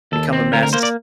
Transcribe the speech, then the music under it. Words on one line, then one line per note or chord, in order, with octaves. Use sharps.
become a mess.
D#2 A4
C4
D2 A#4
A#4
A#3 C5
D5